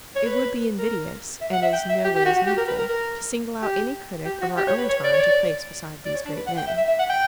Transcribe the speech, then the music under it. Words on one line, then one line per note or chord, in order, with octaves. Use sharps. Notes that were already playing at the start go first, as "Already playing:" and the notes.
It would be invidious, and is noways needful, to single out any critic of our own time to place beside these great men.
C#5
B4
B4
A#4
E5
F#5
E5
G5
E5
G4
G4
F#4
F#4
G4
A#4
B4
A#4
A#4
G4
G4
F#4
G4
C#5
B4
C#5
D5
C#5
D5
D5
C#5
D4
B4
F#5
G5
E5
E5
E5
F#5
G5